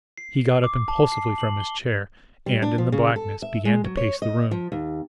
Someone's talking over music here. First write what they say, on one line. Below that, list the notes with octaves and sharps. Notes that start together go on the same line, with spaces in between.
He got up impulsively from his chair, and, in the blackness, began to pace the room.
C7
D6
A5
C7
F#7
G7
G3
D4
F3
C#3
A4
E5
G#3
F#3
C#5
D#5
F3
D#2